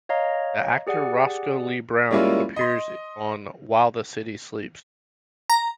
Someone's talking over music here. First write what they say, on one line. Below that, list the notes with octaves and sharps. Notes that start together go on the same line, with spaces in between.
The actor Roscoe Lee Browne appears on "While the City Sleeps".
C#5 D#5 F5 A#5
G4 G#4 D5 F#5
G3 G#3 A#3 C#4 E4 F4
D#5 C6
A#5